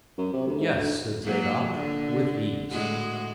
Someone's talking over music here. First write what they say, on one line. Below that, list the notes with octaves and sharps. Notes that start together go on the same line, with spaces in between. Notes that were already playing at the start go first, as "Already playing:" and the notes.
"Yes," said Zadok, "with ease."
F#2
C3
D2
G#2
D2
F#3 A#3
A#2 D3
A2 G#3 F#4